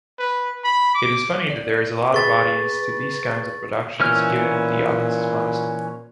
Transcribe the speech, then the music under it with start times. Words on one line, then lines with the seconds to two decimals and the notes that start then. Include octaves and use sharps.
It is funny that there is a lot of audience to these kinds of productions, given the audience’s modesty.
0.19 B4
0.64 B5
0.94 D6
1.50 D5
2.14 G#4 B4 C#6 A6
4.00 A#2 E3 C#4 F6